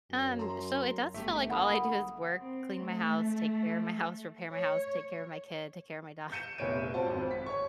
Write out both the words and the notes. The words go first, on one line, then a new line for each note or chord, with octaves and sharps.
Um, so it does feel like all I do is work, clean my house, take care of my house, repair my house, take care of my kid, take care of my dog.
F#2
A#5 C6
G1 A3 G4
A#3 F#5 B5 D#6
C4
A3
C#5
G6 C#7 D#7 E7
F1 A#1 B3 C#5 D7 D#7
C4 F4 F#4 C5 A5
G#1 F2
B6
C#5 C#6